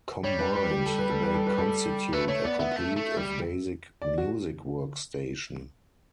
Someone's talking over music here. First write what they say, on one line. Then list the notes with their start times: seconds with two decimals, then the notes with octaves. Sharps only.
Combined, they constitute a complete, if basic, music workstation.
0.24 G3 C#5
0.39 B4
0.55 B4
0.71 G4
0.86 A4
0.98 B4
1.10 A4
1.23 B4
1.34 A4
1.46 B4
1.58 A4
2.12 A3 B4
2.28 A3 C#5
2.44 B3 D5
2.59 B3 E5
2.76 A3
2.96 A3
3.17 G3
4.02 D5
4.18 F#4